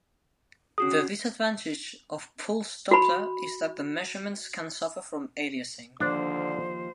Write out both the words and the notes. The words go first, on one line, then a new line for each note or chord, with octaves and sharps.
The disadvantage of pulsed Doppler is that the measurements can suffer from aliasing.
C#4 F#4 G#4 D#6
F#4 B5
D#2 D3 F3 D4 C5